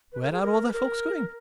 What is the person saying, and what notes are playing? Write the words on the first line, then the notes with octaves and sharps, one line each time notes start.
"Where are all the folks going?"
B4
A#4
G#4
A#4
B4
A#4